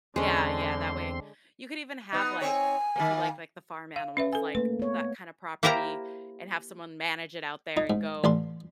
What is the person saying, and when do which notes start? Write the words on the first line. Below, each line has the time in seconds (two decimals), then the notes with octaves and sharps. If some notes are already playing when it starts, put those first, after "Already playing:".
Yeah, yeah, that way you could even have, like, if you like, like, the farm animals like that kinda property and have someone manage it out there and go
0.16 E2 D3 G#3 C4 C#4 C6
2.12 B3 D#4
2.42 C4 C#5 G#5
2.96 D#3 A#3
3.96 F5
4.17 C#4 B4 E5
4.33 A4 G#5
4.55 A3 A#3 B4
4.79 B3 C#5
5.63 A#3 E4 G4 A#4 C5 A#5
7.77 D#4
7.90 G#2
8.24 A1 D4 C6